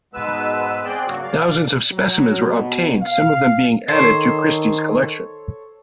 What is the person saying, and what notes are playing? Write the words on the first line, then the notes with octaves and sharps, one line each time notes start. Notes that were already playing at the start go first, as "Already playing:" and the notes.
Thousands of specimens were obtained, some of them being added to Christy's collection.
G#2 B2 G#3 B3 B4 E6
C4 G#4 D5 G5 F#6
G2 C#3 F#3 A#3 F#4
D5 F5
F#3
B2
F5
D#3 A4 C5 C#5